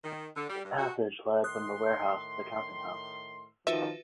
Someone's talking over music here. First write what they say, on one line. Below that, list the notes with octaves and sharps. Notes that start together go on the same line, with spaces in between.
A passage led from the warehouse to the counting house.
D#3
D3
G3
G2
F#4
A2 D#3 C6 D#6 F#6
D#3 F3 F4 F#4 B4 E5